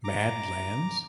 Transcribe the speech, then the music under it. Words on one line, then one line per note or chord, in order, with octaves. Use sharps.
Mad Lands?
A#5 D6